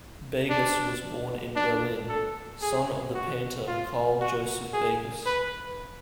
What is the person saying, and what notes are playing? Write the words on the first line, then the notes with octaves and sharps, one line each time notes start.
Begas was born in Berlin, son of the painter Carl Joseph Begas.
D4
D4
A4
G#4
F#4
F4
F#4
G#4
B4